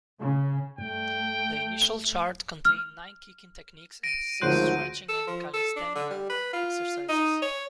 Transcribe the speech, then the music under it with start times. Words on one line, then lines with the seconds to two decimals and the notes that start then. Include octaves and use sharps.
The initial chart contained nine kicking techniques and six stretching and calisthenic exercises.
0.19 C#3
0.78 G2 A3 G5
2.65 F6
4.03 A#6 D7 D#7
4.42 G#1 D2 F3 F#3 C6 F#6 G6 D#7
5.08 A4
5.27 F3
5.53 A4
5.76 D4
5.95 D3
6.10 G3
6.30 B4
6.53 F4
7.08 D#4
7.42 C#5